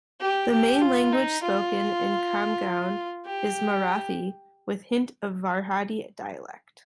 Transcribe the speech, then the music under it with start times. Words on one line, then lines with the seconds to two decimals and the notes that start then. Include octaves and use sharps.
The main language spoken in Khamgaon is Marathi with hint of varhadi dialect.
0.21 G4
0.52 G4
0.81 F4
1.12 D#4
1.43 F4
3.26 G4